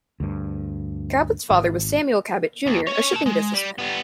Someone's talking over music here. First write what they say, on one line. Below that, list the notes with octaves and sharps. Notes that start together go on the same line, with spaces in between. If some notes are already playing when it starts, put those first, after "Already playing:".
Cabot's father was Samuel Cabot Junior a shipping businessman.
D2 G2
G#1
D#2
C#4 C#5
A#3 A5
G#3
G3
G3 B3